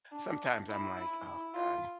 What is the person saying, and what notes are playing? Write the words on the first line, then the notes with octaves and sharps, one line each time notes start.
sometimes I'm like, "Oh, God."
D4
E4
E4
E4
F4